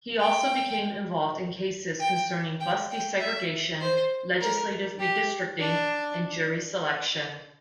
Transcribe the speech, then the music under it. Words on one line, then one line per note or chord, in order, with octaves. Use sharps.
He also became involved in cases concerning bus desegregation, legislative redistricting and jury selection.
G5
G5
G5
G5
E5
C5
A#4
G4
D4